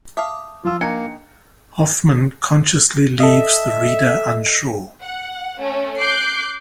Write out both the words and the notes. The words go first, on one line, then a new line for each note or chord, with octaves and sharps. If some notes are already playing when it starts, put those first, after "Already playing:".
Hoffman consciously leaves the reader unsure.
E5 F5 A5 D6 D#6
F3 F4 E6
D#3 A#3 D4 G#5 C#7
A4 D#5 E5
F#5
A3 C#4
D6 F#6 G6 C7